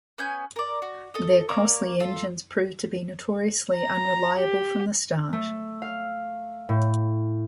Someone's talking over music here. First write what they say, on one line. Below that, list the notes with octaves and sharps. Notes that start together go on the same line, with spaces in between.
Their Crossley engines proved to be notoriously unreliable from the start.
B3 C#4 G#5 G6
A#4 D5
F#4
A4 D#5
A#3 A#4 C#5 D5
F4 A4 E5
A#5
G4
A3
F5
A2